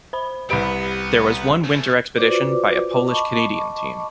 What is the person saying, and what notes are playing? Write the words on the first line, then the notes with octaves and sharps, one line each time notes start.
There was one winter expedition by a Polish-Canadian team.
C5 B5
C2 B3 G4 B4 B5 D7
A3 C#4
F4 F#4 B4 C5 D5 D6
D#5 A5 B5 C#6 D6